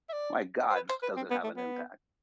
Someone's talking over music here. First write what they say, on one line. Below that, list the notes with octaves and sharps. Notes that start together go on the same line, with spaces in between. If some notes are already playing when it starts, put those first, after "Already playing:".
my god, does it have an impact.
E5
D5
C5
B4
C5
B4
C4
B3
A3
B3